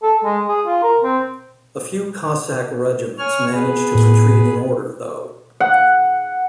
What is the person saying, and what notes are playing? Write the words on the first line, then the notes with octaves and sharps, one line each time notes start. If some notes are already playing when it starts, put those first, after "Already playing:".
A few Cossack regiments managed to retreat in order though.
A4
G#3
G#4
F4
A#4
C4
C#5 G#5 F6
B3 G#4 B4
A2
F#5